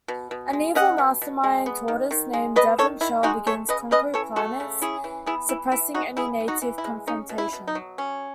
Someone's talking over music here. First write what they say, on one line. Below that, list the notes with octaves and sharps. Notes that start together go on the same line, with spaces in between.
An evil mastermind tortoise named Devan Shell begins conquering planets, suppressing any native confrontation.
B2
B2
G#3
C#4 D#5 F#5
B2
B2
G#3
B3
D#3
D#3
G#3
B3 B4 D#5
D#3 A4 C#5
D#3 E4
G#3 D#4 F#4
A3 A4 C#5
C#3 B4 D#5
C#4 B4 D#5
E3 A4 C#5
A3 F#4 A4
C#3
C#4 E4 G#4
E3
B3 E4 G#4
E3 E4
E3 E4
G#3 D#4 F#4
B3 E4 G#4
E3
D#4 F#4
E3
E4
G#3
C#4 D#4
B2
E4
B2
D#4
F#3
C#4